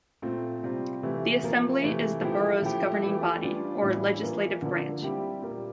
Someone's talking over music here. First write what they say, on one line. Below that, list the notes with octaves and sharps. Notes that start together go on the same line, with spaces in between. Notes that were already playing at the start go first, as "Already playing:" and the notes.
The assembly is the borough's governing body, or legislative branch.
A#2 A3 C4 F4
C3 G3 C4 F4
C3 E3 A3
F3 A#3 F4
C3 E3 A3 E4
F3 A3 E4 G4
F3 A3 E4 G4
E3 A3 E4 G4
G3 D4 F4
A2 E3 G3 D4 F4
E3 A#3 F4
D3 F3 A#3 D4 F4
G3 C4 E4 G4
A#2 G3 A#3